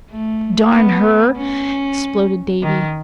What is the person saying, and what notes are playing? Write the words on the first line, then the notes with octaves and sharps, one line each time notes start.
"Darn her," exploded Davy.
A3
B3
C#4
D#3